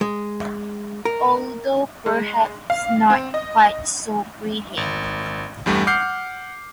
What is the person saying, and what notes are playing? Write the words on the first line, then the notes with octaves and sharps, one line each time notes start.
Although perhaps not quite so brilliant.
G#3
A#4
G#3
F5
C4
D#5
G#1
E2 G2 G3 A3
F#5 D6 F6 G6 C7